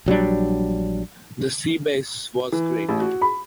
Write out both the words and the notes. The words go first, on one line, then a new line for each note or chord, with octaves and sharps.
That seabass was great.
A#1 F#3 G3 D4
E3
A1
F#4
B5